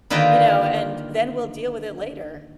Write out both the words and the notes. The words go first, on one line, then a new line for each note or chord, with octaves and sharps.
you know, and then we'll deal with it later.
D3 D#3 A#3 F4 B4 G5